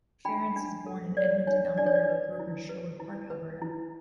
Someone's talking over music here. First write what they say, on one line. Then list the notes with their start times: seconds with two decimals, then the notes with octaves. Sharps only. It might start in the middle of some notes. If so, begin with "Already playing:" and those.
Ference was born in Edmonton, Alberta, but grew up in Sherwood Park, Alberta.
0.25 D4 G5 B5
0.56 D4
0.86 A4
1.17 C#5 D5
1.47 D4 C#5
1.78 D4 D5
1.86 C#5
1.95 D5
2.09 B4
2.39 E4
2.69 B4
3.00 E4
3.30 B4
3.62 E4